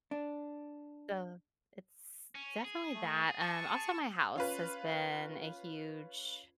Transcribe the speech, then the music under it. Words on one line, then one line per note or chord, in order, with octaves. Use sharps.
So, it's definitely that, um, also my house has been a huge
D4
C#4
G#4
A3
A5 C#6
C#4 F4 B4